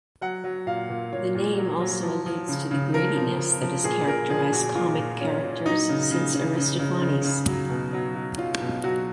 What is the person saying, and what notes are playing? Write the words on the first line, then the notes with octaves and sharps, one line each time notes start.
The name also alludes to the greediness that has characterized comic characters since Aristophanes.
F#3 F#5
F#3
A#2 F5
A#2
A#2 C#5
A#2
F#3
F#3
F3
F3
C#3
C#3
F3 A#4
F3
F3
F3
A#2 G#4
A#2 A#4
F3 G#4
A#2 F#4
A#2 F4
A#2
A#2 C#4
A#2
F#3 D#4
C#3
C#3
C#3
C#3
C#3
C#3
C#3
F#3
B2
F#3
F#3
F#3 F4
B2
F#3 F#4